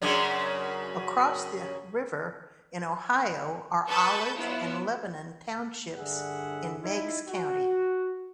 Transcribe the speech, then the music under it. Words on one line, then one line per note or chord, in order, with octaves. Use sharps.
Across the river in Ohio are Olive and Lebanon Townships in Meigs County.
F#2 C#3 D4
B4 A5 B5 C#6 G6 A6
F#3 B3 E4 F4
G2 D3 D4 G#4 E5 F#5
D#4 E4
F#4